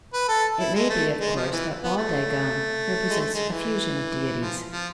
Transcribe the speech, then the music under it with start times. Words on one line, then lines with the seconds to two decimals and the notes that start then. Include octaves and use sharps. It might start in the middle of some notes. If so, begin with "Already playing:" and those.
It may be, of course, that Baal-dagon represents a fusion of deities.
0.13 B4
0.28 A4
0.59 E4
0.75 G#3
0.90 A3
1.20 G#3
1.36 F3
1.51 E3
1.81 B3
1.97 A3
3.09 G#3
3.19 A3
3.34 G#3
3.50 E3
4.40 F3
4.72 F3